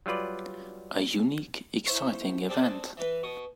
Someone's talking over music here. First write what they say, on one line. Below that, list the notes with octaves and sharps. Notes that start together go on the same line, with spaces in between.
A unique, exciting event.
F#3 G3 F4 B4 D5
E4 C5 C#5
C4 D4 G#4 A4
E3 B4
B2 C#6 D#6